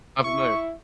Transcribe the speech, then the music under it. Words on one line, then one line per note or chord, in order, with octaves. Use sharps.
Not familiar.
E4 C#6